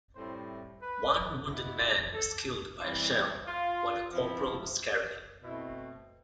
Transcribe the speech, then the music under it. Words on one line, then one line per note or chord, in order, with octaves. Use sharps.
One wounded man was killed by a shell while the corporal was carrying him.
A2 G3 C4 E4 C5
B4
B2 B3 E4
A4
E3 G3 C4 E4 F4
E4
F4
F3 C4 E4
B2 A3 C4 E4